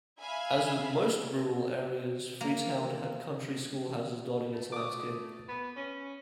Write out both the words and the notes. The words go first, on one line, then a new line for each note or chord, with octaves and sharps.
As with most rural areas, Freetown had country schoolhouses dotting its landscape.
E5 F5 G#5 B5
A#3
A3
A3 D6 D#6
B3
C#4